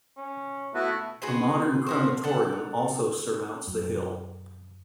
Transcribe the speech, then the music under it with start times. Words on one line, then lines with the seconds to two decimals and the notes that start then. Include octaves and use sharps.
A modern crematorium also surmounts the hill.
0.17 C#4
0.74 A3 B3 E4 F#4 B4
1.22 F#4 G#4 B4 C5
1.87 F3 F#4 C5
2.24 A4 F#5
3.67 F#2